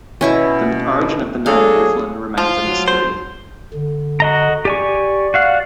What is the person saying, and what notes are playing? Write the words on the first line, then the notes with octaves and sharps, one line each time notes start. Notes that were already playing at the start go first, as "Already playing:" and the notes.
The origin of the name 'Evelyn' remains a mystery.
B2 C#4 E4 C#6
F#3 D4 G#4 A4 F5
F3 F4
F#3
C5
D3
F#4 D#5 A#5
G4 D5 G#5 C#6
F#4 F5 F#5